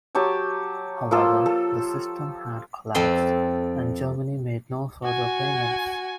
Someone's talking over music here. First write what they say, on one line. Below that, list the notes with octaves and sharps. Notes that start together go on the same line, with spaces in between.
However, the system had collapsed, and Germany made no further payments.
F#3 G4 C#5 A5
F3 A#3 F4 A4
A4
F2 C4 A4 C6
F#4 G#5